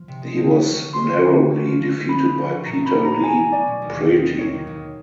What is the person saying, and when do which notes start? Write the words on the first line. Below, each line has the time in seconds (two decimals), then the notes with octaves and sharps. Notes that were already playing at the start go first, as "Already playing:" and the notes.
He was narrowly defeated by Peter Li Preti.
Already playing: F3
0.08 C3
0.22 G#3
0.36 D3
0.50 B3
0.66 F#3
0.79 F#3
0.94 B3 C6
1.08 F#3
1.23 D3
1.37 D3
1.51 C#4
1.65 F3
1.80 F3
1.95 G#3
2.09 G#3 B5
2.23 F3
2.38 F3
2.52 C#4
2.66 B2 A#5
2.81 A3 B5
2.95 D4
3.05 A#5
3.10 B2
3.24 A3 G#5
3.38 A3
3.52 F#3 D5
3.67 B2
3.82 D#2
3.96 D#3
4.10 G#3
4.24 B3
4.39 D#2 C#5
4.54 D#3
4.67 D#2